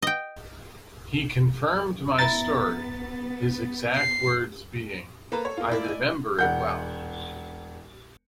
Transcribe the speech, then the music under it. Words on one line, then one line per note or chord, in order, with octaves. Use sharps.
He confirmed my story, his exact words being 'I remember it well.
D#5 G5
B3 E4 A#4 A6
C7
A#3 A4 B4 C5 A#5
C#5
A#3 F4
E4 D5 E5
D5 D#5 G#5
E1 F#5 G6